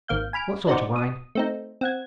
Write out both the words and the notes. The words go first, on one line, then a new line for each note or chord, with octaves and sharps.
"What sort of wine?"
G#1 A#3 F5 G6
G#5 B5 F6 D7
D4 D#4 F#4 C5 D5
D#6
A3 C4 D#4
C4 F#5 G#6